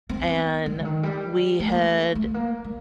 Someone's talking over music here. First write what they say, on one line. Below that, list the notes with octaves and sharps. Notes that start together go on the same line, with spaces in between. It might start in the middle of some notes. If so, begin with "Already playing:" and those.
And we had
C4
B3
G3
D3
D#3
G3
A3
A#3
A3
A3
A#3
G3